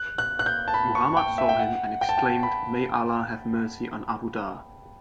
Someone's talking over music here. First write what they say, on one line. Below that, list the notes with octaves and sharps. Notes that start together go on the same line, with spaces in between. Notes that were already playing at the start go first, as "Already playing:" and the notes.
Muhammad saw him and exclaimed, May Allah have Mercy on Abu Dhar!
Already playing: F#6
F#6
F#6
G6
A5
B5
C#6
G5
E5
G5
F#5
G5
A5
G5
B5